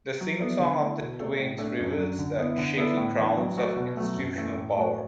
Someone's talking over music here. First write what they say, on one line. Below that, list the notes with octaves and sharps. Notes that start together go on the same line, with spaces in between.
The singsong of the twins reveals the shaky grounds of institutional power.
F#3
B3 E4 A4 D5
D3
A3 E4
B2
A3 F#4 A4 D5
A2
A3 D4 A4 D5
F#2
F#3 D4
D3
B3 E4
D3
B3 E4 A4 D5
A2
E3 D4
F#3
A3 F#4 B4 D5
B2
F#3 A3
F#2
E3 A3
A2
A3 F#4 D5